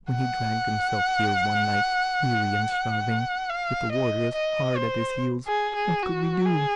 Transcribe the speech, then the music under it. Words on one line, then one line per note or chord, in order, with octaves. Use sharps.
When he dragged himself here one night, weary and starving, with the warders hard at his heels, what could we do?
F#5
F5
D#5
D#5
C5
G#4
G#4
F#4
G#4